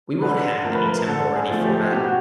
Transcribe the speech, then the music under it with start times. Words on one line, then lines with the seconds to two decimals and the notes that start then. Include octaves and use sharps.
We won't have any tempo or any format.
0.22 D3 B4
0.65 F3 A3 A#4
0.75 B4
0.86 A#4
1.07 D3 A4
1.36 G#4
1.50 F3 A3
1.65 G4
1.93 B2 G4
2.04 F#4